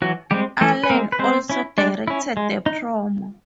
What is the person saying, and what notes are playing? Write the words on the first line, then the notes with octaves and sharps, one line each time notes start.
Allen also directed the promo.
E3 F#3 F#4
G3 G#3 C4 G4
E3 A3 A4
B4
G#3 A#3 C4 A#4
B4
G#3 C4 C5
C#4 E4
G#3 D4 D5
C#4 E4
G#3
D#4